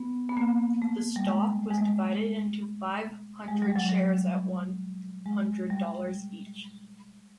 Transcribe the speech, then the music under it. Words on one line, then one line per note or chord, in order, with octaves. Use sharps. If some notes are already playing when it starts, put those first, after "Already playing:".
The stock was divided into five hundred shares at one hundred dollars each.
Already playing: B3
B3
A#3
A3
G3
G#3
G#3
A3
G#3
G#3
G3
F#3
G3
G#3
G3